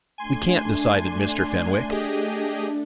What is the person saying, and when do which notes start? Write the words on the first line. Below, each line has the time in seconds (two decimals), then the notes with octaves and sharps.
"We can't," decided Mr. Fenwick.
0.18 A3 D4 G#5 C6
1.91 G4 G#4 D#5